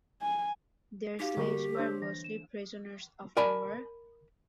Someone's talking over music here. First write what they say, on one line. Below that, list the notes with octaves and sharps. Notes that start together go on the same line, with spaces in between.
Their slaves were mostly prisoners of war.
G#5
D#4 F#4 G4 F5
D3 G3 A#3 F#4 A#4 C#6
D4 C5 C#5 E6
E3 A#6
E7
A#4 D5 G#5 A5 B5